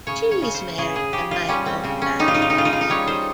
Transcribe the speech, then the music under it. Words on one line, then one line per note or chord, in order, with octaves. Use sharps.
She is married to Michael Valerie.
C#3 C#5
C#5
C#3
C5
C#3 G#4
G#4
C#3 G4
F4
G3 C#4
C4
C#3 C4
C#4
G3 D#4
F4
D#4
F4
D#4
C#3 F4
D#4
F4
D#4
G3 C#5
C5